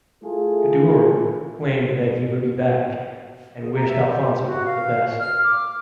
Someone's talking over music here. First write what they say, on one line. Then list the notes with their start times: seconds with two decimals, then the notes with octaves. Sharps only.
Kaddour claimed that he would be back and wished Alfonso the best.
0.22 A3 E4 F4 G#4 A4
3.61 G#4
3.75 A#5
3.88 E5
4.04 G4
4.45 F#4
4.66 F5
5.20 F6
5.44 D6